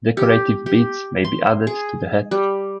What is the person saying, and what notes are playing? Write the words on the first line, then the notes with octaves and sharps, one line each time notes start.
Decorative beads may be added to the head.
G4
G4
C6
G#4
G3